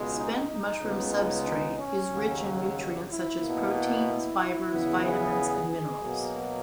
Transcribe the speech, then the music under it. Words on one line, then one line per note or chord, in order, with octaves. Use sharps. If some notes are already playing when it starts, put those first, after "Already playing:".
Spent mushroom substrate is rich in nutrients such as proteins, fibers, vitamins, and minerals.
Already playing: C#2 B2 G#3
D#4
D#4
C#2 C#3 G#3 B3
D#4
D#4
C#4
D#2 C#3 F#3
E4
B2 A#3
E4
E4
E2 C#3 E3 B3
G#4
G#4
B2 F#3 A#3